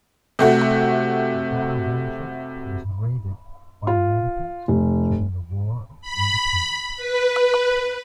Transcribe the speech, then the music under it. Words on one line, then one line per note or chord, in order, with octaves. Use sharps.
Bonaventure was raided by Americans during the War of Independence.
C3 A3 F#4
F4
F1
B5
B4